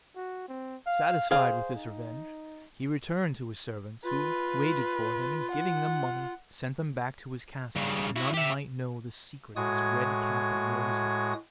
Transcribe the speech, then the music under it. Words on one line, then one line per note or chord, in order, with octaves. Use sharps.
Satisfied with this revenge, he returned to his servants, who waited for him, and giving them money, sent them back to his castle, that none might know the secret of his red cap and roses.
F#4
C4
F5
G#4 C5 F5
D#4
F4 B4
F#5
G2 C#3
E4 F#4
G4 E5
A2 G#3 F#4 D#6 G#6